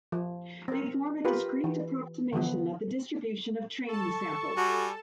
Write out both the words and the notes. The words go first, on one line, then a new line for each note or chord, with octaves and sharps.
They form a discrete approximation of the distribution of training samples.
F3
C4 A#4
F4 G4 A#4 B4
E3
D3 E3 F3 B3
A4 A5 C#6
G3 F#4 G#5